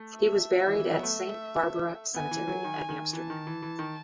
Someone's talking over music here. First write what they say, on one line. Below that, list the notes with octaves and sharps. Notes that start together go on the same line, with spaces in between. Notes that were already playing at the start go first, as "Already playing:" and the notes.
He was buried at the Saint Barbara cemetery at Amsterdam.
Already playing: A3
E5
E3
E3
F#3
B3
A3
B3 G#5
E3
F#3
D#3
D#3
E3 A5
D#3
E3
E3
D#3